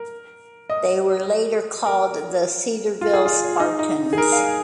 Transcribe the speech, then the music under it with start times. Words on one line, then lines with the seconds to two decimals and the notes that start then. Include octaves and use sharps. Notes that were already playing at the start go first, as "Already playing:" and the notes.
They were later called the Cedarville Spartans.
Already playing: A#4
0.70 D#5
1.86 A#4
3.01 F4
3.13 G#4
3.26 F4
3.60 D#4
3.79 D#4
4.13 G#4
4.18 A#4
4.32 F5
4.37 G#5